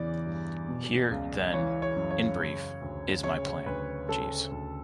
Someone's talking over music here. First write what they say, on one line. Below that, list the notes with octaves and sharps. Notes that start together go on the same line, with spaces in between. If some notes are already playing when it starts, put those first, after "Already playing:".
Here, then, in brief, is my plan, Jeeves.
Already playing: E2 C#3 E3 D5
G2
B2
C#2
E3 C#5
C#5
F#2
C#5
C#3
D2
C#3 C#5
D2 B4
C#3 A4
D2